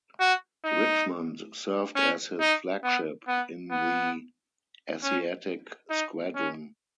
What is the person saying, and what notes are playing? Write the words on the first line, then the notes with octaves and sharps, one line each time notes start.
"Richmond" served as his flagship in the Asiatic Squadron.
F#4
D#4
C#4
D#4
B3
B3
B3
C#4
D#4
C#4